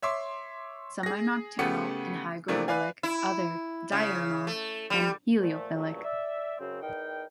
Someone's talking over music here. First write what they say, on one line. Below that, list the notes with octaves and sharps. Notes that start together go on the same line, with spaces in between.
Some are nocturnal and hygrophilic, others diurnal and heliophilic.
C#5 E5 C6 D6
G#4 A#6
C#3 A3 B3 G4 C#7
C3 E3 F3 A3 A#3 D4
B4 D5 F5 G#5
E4
C#3
A3
G3
A#2 F3 A3
G2 A#2 C#3 E3 F#3 A3
D5 E5
F#2 C#3 C4
E2 D#4 A#4 G5